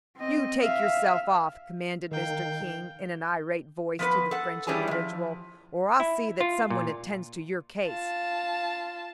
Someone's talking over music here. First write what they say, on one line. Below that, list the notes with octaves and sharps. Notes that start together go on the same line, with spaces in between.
"You take yourself off," commanded Mr. King, in an irate voice to the French individual, "or I'll see that some one attends to your case."
C4 D#5
E5 F5
D#3 F5 G5
F3 B3 B4
A4 F#5
E3 G3 C#4 G#4 A5
F3 G#3
E4
F4
A#2
F4 A5